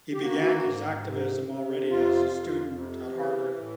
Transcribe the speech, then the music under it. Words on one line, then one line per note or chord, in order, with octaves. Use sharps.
He began his activism already as student at Harvard.
G4
A#3 F#4
G#2
C3
C3
F2 F4
F2
C3
E3
A2